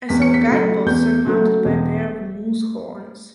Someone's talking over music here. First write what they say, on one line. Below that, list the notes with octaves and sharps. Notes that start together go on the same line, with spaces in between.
I saw a guidepost surmounted by a pair of moose-horns.
E2 B6
C#7
B6
C#3 F#3 A3
E2 G6
C#3 F#3 A3
E1